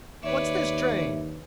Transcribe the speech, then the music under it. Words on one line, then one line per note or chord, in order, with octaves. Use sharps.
"What's this train!"
D#2 B4 C#5 D5 E5